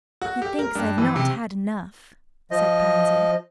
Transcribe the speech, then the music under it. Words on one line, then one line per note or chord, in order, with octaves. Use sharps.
"He thinks I've not had enough," said Pansy.
F#4
G4
A#4
G2
E3
C3
F3 D#5